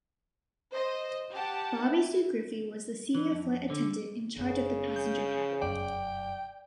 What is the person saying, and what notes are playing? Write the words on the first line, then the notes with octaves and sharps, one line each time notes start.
Bobbi Sue Griffey was the Senior Flight Attendant in charge of the passenger cabin.
C5 D#5
G4 F#5 A5
E4
E3
F2
D3
F#1 C#3 B3
G6
F1 F#2 D5 G5